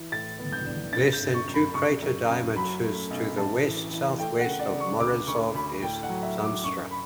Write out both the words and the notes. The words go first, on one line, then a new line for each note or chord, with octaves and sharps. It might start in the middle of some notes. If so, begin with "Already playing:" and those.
Less than two crater diameters to the west-southwest of Morozov is Zanstra.
Already playing: E3
A2 A6
B3
G6
D4
C#3 A6
G6
G1
C#6
F#2
B5
C#3 C#6
F#2
F#2
F#3 B5
A3
B1
A1 A5
E3
E3
A3 G5
F#5
C#3
D5
C#3
C#6
D2 D6
D2 C#6
D2 B5
A2 G5
F#5
F#3
E5
F#3
D6
F#2 C#6
B5